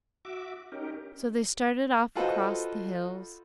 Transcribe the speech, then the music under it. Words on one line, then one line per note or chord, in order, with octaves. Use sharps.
So they started off across the hills.
F#4 E5 D6
C#4 D#4 G4 A#4
F4 F#4 A4 B4 C5 D#5